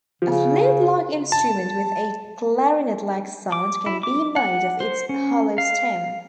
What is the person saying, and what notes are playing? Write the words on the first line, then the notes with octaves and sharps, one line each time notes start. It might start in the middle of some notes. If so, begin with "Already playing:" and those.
A flute-like instrument with a clarinet-like sound can be made of its hollow stem.
C#3 F3
A5
D6
E4
D6
F#5
C5
C#4
F5